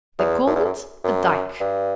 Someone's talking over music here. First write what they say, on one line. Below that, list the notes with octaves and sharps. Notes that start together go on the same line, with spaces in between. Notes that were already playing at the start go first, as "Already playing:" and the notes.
They called it a dyke.
E2
F#2
E2
F#2
F#2
G2